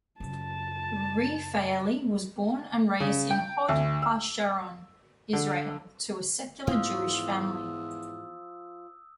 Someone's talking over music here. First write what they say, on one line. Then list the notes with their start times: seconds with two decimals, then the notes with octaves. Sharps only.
Refaeli was born and raised in Hod HaSharon, Israel, to a secular Jewish family.
0.20 F#2 C#3 A5
3.00 C#3
3.31 G5
3.69 D2
4.02 E6
5.33 D3
6.67 E2 G#2 F3 B3 D4 D#6 E6